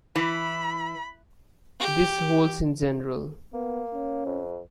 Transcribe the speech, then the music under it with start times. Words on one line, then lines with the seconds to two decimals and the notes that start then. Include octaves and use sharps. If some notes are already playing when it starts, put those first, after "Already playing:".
This holds in general.
0.16 E3 B5
1.80 G4
3.54 A#3 B3
3.93 C#4
4.26 F2